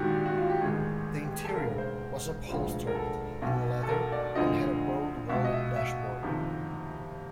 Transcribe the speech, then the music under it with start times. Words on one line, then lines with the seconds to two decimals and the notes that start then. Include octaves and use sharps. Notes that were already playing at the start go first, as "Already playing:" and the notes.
The interior was upholstered in leather and had a burled walnut dashboard.
Already playing: A#1 G#2 D#3 F#4 G4
0.14 G4
0.26 F#4
0.38 F4
0.50 G4
0.61 A1 G#2 D#3 G#4
1.25 G4
1.34 G#4
1.45 A4
1.55 E1 D2 C#3 A#4
1.78 C5
2.48 E1 D2 C#3 F3
2.87 A#4
2.95 A4
3.42 B1 B2
3.83 A4
3.89 A#4
4.12 D5
4.35 D2 D3 F3 D#5
5.29 C#2 B2 E5
5.44 D#5
5.52 E5
5.76 E5
6.22 F#1 F2 C3 D#3